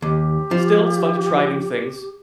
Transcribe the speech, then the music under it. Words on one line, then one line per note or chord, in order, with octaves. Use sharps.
still, it's fun to try new things.
D#2 G4
F3